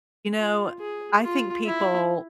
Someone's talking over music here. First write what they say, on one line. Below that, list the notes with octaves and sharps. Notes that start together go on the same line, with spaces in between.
you know, I think people
F4
G#4
F4
E4